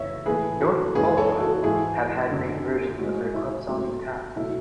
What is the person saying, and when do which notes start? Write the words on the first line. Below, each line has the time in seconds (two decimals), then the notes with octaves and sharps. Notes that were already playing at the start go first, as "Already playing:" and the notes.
North Ballarat have had many versions of their club song in the past.
Already playing: F#2 E3 A3 C#5 E5
0.26 A2 E3 A3 G#4 B4
0.60 F#4 A4
0.95 F#2 E3 G#3 G#4 B4
1.17 A4 C#5
1.40 F#4 A4
1.63 G#2 E3 G#3 E4 G#4
2.31 F#2 D3 A3
2.99 A2 G#3 F#4
3.34 E4
3.68 G#2 F#3 A3
4.36 B2 F#3 A3 E4